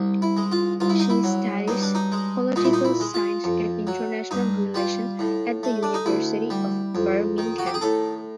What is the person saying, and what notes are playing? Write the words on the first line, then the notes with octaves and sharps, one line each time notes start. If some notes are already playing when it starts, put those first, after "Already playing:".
She studies Political Science and International Relations at the University of Birmingham.
Already playing: C2
E4
G#3
F4
C2 F4
E4
D#4
E4
F#3
G2 D#4
D4
D#4
G#3
A#2 D#4
E4
D#4
E4
G#3
F4
F2
F#3
G2 D#4
G3 F4
A2
A3
D4
D#4
D2 E4
G3
F2
D#3
F#4
G4
G#4
A2 A4